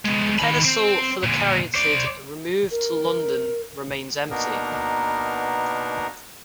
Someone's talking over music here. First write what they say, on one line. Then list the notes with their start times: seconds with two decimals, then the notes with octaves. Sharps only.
The pedestal for the Caryatid removed to London remains empty.
0.05 G#3 B3
0.39 D#3 B5
0.65 C4
1.23 A#2 D3
1.75 C5 D5
2.71 A#4
4.31 B2 A#3 B3 D4 D#4 A#4